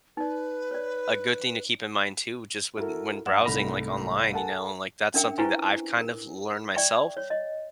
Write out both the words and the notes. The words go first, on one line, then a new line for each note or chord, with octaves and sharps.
a good thing to keep in mind too just when when browsing, like, online. You know, like, that's something that I've kind of learned myself.
D#4 B4 D5
C#5 D5
E4 F#4 A4 A#4
G2 D4 F#5 E7
C2 G#2 A3 B5 A#6 F7
A4 A#4 F#5 G#5 A5
C#4 D4 A#4 E5 G5
E4 F4 B4 C5 G#5 C#6
A#4
D5 E5 G5 C#6
C#5
D#5